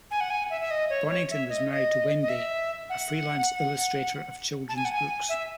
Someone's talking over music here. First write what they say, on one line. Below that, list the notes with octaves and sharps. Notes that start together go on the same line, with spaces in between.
Bonington was married to Wendy, a freelance illustrator of children's books.
G#5
F#5
G#5
E5
E5
D#5
C#5
C#5
E5
D#5
D#5
D#5
E5
F#5
A5
G#5
F#5
G#5
E5